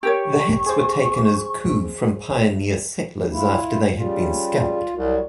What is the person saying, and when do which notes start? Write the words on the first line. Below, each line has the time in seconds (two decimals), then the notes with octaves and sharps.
The hats were taken as coup from pioneer settlers after they had been scalped.
0.03 G4 A#4 C#5 C#6
0.66 G#4 C5
3.31 E4 F4
3.96 C#3 G3 F4
4.96 C2 F#3 G3 F#4